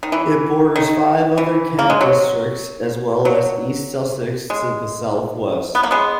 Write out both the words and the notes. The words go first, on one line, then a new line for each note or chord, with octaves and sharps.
It borders five other Kent districts, as well as East Sussex to the south-west.
D#3
E3
D#3
E3
A#3
G#3
F#3
F#3
G#3
B3
A#3
G#3 B3